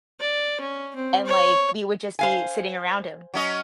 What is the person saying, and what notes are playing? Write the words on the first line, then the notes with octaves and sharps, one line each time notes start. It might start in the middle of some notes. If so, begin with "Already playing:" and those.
and, like, we would just be sitting around him.
D5
C#4
C4
C#5
C5 F5 G#5
F#3 C#4 D#5